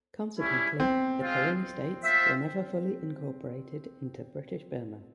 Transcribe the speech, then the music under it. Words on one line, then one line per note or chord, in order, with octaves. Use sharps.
Consequently, the Karenni States were never fully incorporated into British Burma.
G3 C#4 E4
C4
G#3 C4 F4
F4 C5 E5